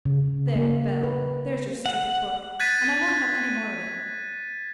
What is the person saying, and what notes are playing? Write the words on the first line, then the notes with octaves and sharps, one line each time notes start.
There, Bell; there's your stupid book, and I won't have any more of it.
C#3
A#3
B4
F#5
F#6 G#6 A6 B6 D#7